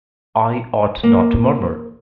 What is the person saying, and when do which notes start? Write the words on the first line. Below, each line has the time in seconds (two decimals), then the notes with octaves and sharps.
I ought not to murmur.
1.03 A#3